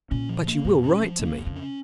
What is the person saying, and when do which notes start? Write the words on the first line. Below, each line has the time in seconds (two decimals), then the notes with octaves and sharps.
"But you will write to me?"
0.11 A#2 C#4
0.29 F3
0.47 A#3
0.65 F2 A#2
0.84 C#4
1.02 F3
1.19 C#3 A#3
1.37 F2
1.46 C#3
1.56 C#4